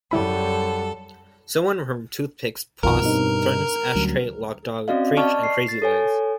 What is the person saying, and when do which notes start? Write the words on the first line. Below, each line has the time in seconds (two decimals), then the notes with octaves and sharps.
Someone from Toothpicks posse threatens Ashtray, Loc Dog, Preach, and Crazy Legs.
0.11 F#2 G3 E4 A4 B5
2.83 A#1 F2 B2 D#3 F4 A#4
3.01 G2 B2 C4 D#4
3.96 D2 F#3 G3 C#4
4.88 C4 C#4 F#4 D5 D#5 F5
5.17 D5 D#5 A5 C#6 F6
5.43 C7
5.68 A6
5.82 A4 C#5 G#5